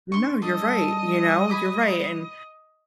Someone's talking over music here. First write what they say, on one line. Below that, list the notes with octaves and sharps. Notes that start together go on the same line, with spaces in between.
No, you're right, you know? You're right, and
D4 C6 C#6
G3 D4 A4 D#5
G#5 B5 D6